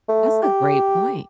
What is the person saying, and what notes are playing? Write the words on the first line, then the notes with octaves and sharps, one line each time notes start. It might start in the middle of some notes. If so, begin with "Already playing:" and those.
That's a great point.
A3
G4